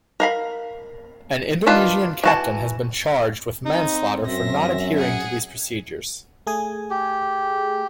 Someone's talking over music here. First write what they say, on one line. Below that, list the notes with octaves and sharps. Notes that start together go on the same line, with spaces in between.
An Indonesian captain has been charged with manslaughter for not adhering to these procedures.
A#4 F5 B5
D#3 D4 F4 B4
E3 F#4 A5
C4 D#4
F#2 E5 A#6
G#4 F#5
A3 G#4 G#5
G4